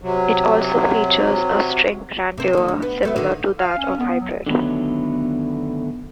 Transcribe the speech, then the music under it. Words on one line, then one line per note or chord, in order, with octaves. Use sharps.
It also features a string grandeur similar to that of Hybrid.
C3 F#3
C3 C4
D#2 D3
D2
B3
G3 A3 B3
D3 D#3
F5
C#4
B3
F#3
D3 D#3 F#3 A3 B3